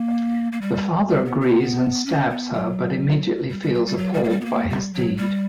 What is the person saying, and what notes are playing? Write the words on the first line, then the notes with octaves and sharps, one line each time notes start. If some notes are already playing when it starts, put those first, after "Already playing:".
The father agrees and stabs her, but immediately feels appalled by his deed.
Already playing: A#3
A#3
G3
G3
B3
B3
C#4
B3
F#3
G3
G3
F#3
G3
F#3
G3
A#3
G3
B3
A#3
G3
F#3
G3